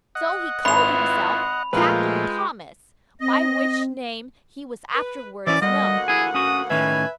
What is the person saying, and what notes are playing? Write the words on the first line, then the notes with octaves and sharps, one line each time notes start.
So he called himself Captain Thomas, by which name he was afterwards known.
D#5 F#5
G#1 E4 F4 B4 B5 F7
A#2 F3 G#3 A3 F4 A#4 B4 G5
C4 D#5
B4
E3 F#3 C4 C#4 E4 D5
D2 G3 A#3 D#5 F#5
E4 G#4 G#5
C#4 F#4 D#6
A2 D#3 C#4 B4 E5 G#5